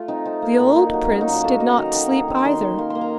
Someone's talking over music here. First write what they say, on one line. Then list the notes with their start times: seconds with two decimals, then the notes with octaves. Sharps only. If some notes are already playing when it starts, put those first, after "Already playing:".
The old prince did not sleep either.
Already playing: A3 F4
0.08 C4 D#4
0.25 C4
0.42 A#3
0.59 A#2
0.76 A#2 D#4
0.93 F#3
1.10 A#3 C#4
1.21 D#4
1.27 A#2
1.33 F#4
1.44 A#3 A4
1.60 F#3 D#5
1.77 D#3 A#5
1.95 D#3
2.11 A#3
2.28 D#3
2.45 D#3 C6
2.61 D#3 C6
2.79 A#3 C6
2.90 A#3 C6
3.01 A#5